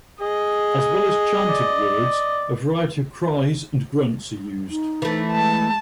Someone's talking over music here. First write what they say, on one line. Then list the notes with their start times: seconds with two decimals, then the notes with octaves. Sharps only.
As well as chanted words, a variety of cries and grunts are used.
0.21 G#4 D#5
1.49 D5
4.70 D#4
5.02 E3 A3
5.32 G#3 A5